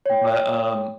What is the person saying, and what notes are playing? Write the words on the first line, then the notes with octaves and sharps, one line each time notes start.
But, um,
C#5 G5